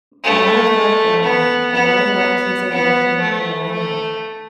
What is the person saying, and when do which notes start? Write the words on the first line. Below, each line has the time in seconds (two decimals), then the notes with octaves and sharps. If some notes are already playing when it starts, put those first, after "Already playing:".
A matter of fact, um, a lot of the YMCAs that we went to in North Carolina,
0.24 A3
1.23 B3
1.72 B3
2.71 B3
3.21 A3
3.71 A3